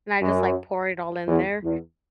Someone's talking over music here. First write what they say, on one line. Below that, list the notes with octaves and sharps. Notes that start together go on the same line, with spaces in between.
and I just, like, pour it all in there,
F#2
E2
E2